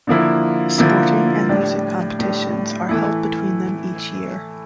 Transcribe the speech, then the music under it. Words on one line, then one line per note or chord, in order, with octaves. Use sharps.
Sporting and music competitions are held between them each year.
D3 F3 A#3 E4
D3 F3 A#3 E4
A2 G3 D4
A2 G3 D4
E3 A3 E4